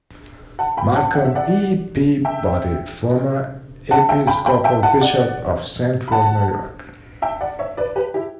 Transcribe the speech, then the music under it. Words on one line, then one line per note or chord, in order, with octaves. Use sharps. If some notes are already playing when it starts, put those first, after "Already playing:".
Malcolm E. Peabody, former Episcopal Bishop of Central New York.
F#5 A5
G5 B5
F#5 A5
F#5
E5
D5 F#5
E5 G5
F#5 A5
E5 G5
G5 B5
G5 B5
E5 G5
F#5 A5
D5 F#5
B5
F#5 A5
E5 G5
D5 F#5
C#5 E5
B4 D5
G4 B4
E4 G4